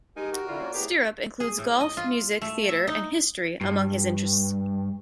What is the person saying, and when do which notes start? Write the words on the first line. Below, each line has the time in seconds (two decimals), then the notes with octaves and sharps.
Stirrup includes golf, music, theatre and history among his interests.
0.16 G#3 D#4 G4 A#4 G#5
0.32 F#4 A#4
0.48 F2 D3 E4 F4 D5
0.60 A#3 C#4 F4
0.74 A2 B3 G4 G#4 A#5 D6
1.40 G#4
1.58 A2
1.81 D#5
1.97 F4
2.42 A3
2.69 E5
2.87 D#4
3.61 G2